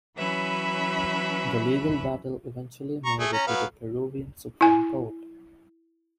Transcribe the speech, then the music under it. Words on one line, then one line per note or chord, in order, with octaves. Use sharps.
The legal battle eventually made it to the Peruvian Supreme Court.
E3 F#3 C#4 B4 E5 B5
A#5 C#6
A3 G#4
C#4 A#5
F#3 B3 F5
E4 G#5